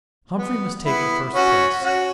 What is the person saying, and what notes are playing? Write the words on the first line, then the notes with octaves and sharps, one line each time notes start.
Humphrey must take the first place.
B3
B3 E4
C#4 F#4
C#4 F#4